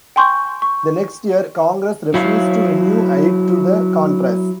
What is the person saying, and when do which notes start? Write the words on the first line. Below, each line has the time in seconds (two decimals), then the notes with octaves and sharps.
The next year, Congress refused to renew aid to the Contras.
0.16 G5 G#5 C6 C#6 G6
0.62 C#6
2.14 F#3 D#4 E4 C#5 F5